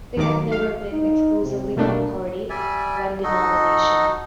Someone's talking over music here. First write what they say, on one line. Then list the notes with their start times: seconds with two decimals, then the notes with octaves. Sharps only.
They have never been exclusively one party, one denomination.
0.17 D#2 D#3 F#3 D6
0.52 F5
0.92 D#4
1.43 C3
1.77 B2 A3 A#3 D4
2.50 G3 D5 E5 G#5
3.24 D#4 F#4 A4 D#5